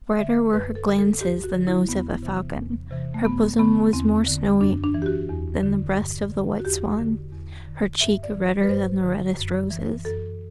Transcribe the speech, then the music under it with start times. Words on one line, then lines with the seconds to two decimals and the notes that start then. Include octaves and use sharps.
Brighter were her glances than those of a falcon; her bosom was more snowy than the breast of the white swan, her cheek redder than the reddest roses.
0.19 D3 E5
0.53 F#2 B4
0.75 A4
0.87 D3
0.99 A4
1.21 D2 G4
1.44 F#4
1.55 D3
1.67 E4
1.89 E2 B3
2.23 C3 E3
2.56 E2
2.91 C3 E3
3.14 A3
3.25 F#2 B3
3.59 D3 B3
3.93 E2 C4
4.28 D3
4.61 F#2 D4
4.84 D4
4.94 E3
5.02 G4
5.06 F#4
5.29 E2
5.63 D3
5.96 G2
6.31 D3
6.60 F#4
6.65 E2 G4
6.99 D3
7.33 E2
7.67 D3
8.01 G2 E5
8.23 D5
8.35 E3
8.63 B4
8.69 G2 C5
9.03 D3
9.37 F#2
9.71 E3
10.05 F#2 A4